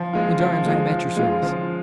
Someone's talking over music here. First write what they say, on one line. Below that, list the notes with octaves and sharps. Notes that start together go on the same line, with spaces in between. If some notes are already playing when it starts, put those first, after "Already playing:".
Gendarmes, I am at your service.
Already playing: F3
G#3 F4
F3
G#3 F4
F3
G#3 F4
F3